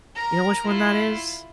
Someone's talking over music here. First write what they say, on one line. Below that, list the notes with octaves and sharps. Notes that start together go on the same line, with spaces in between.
You know which one that is?
A#4 A#5
E4 F4